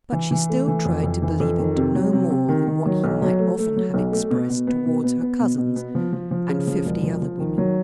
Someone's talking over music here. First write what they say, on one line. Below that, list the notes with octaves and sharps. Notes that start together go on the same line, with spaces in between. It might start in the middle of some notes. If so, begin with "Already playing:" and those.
But she still tried to believe it no more than what he might often have expressed towards her cousins and fifty other women.
E3
E3
A3
E3
F2
F2
E3
F2
D#3
C3
F#3
C3
C3
D#3
D#3
F#3
B1
F#3
A3
A3
F#3
B1
A3
B2
B2
B3
B2
B3
B3
B2
B2
B3
F3
F3
F3
C#3
F3
E1
F3
F3
D#3
F#3